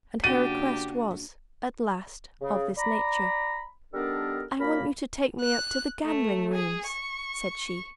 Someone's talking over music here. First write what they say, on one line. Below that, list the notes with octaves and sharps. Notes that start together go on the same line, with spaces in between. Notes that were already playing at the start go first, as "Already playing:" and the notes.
And her request was, at last, of this nature: "I want you to take me up to the gambling-rooms!" said she.
C#3 A#3 D4 F#4 G4 A6 D#7
C#3
D5 A#5 B5
D#3 G3 B3 D4 A4 A#4
F#2 A#2 A#3 A#4 B5
F#6
A3
G#4
C#6